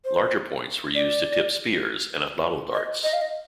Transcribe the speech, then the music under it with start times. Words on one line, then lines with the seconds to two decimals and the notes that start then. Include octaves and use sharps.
Larger points were used to tip spears and atlatl darts.
0.05 C5
0.95 D5
2.75 D#5
3.04 D#5
3.13 F5
3.21 D#5